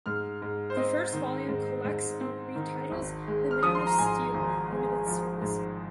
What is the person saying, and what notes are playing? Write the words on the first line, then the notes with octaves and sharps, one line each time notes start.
The first volume collects and retitles "The Man of Steel" limited series.
G#2 F6
G#2
C5
C4 D#5
D#3
G#2
G#2
C4
D#3
G#1
G#3
F6
F3 D#6
C6
A#5
G#2 G#5
G#1
G#3
F3
G#2